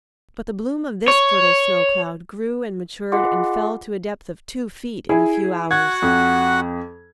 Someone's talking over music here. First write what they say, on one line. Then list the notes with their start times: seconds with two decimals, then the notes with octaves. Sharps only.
But the bloom of this fertile snow cloud grew and matured and fell to a depth of two feet in a few hours.
1.08 C#5
3.12 F4 G#4 D#5 F#5 C6 D6
5.09 E4 G#4
5.71 F#4 F#5 G#6
6.02 F2